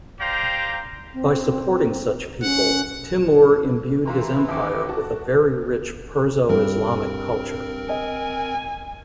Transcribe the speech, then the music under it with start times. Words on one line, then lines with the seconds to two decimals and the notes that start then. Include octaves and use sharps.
By supporting such people, Timur imbued his empire with a very rich Perso-Islamic culture.
0.20 G4 C5 D5 F5 G5 A#5
1.14 C4
2.43 C#4 F#5
4.05 E3 F5 A#5 C6
4.49 D#2 D#3 E5 D6
4.89 F#4 A5
6.49 G2 C4 A#4
7.89 D#5 G#5